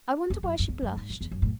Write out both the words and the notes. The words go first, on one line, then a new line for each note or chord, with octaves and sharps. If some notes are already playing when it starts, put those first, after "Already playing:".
I wonder why she blushed.
E2
F#2
F#2
E2
F#2
G#2
F#2
E2
F#2
A2